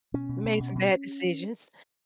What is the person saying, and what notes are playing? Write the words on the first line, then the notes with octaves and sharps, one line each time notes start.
Made some bad decisions.
B2 C#4
B2
B2
B2
B2